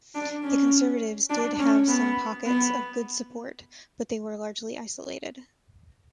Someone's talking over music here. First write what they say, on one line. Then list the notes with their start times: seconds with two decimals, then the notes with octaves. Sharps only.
The Conservatives did have some pockets of good support, but they were largely isolated.
0.14 D4
0.43 C#4
1.30 D4
1.59 C#4
1.88 B3
2.45 B3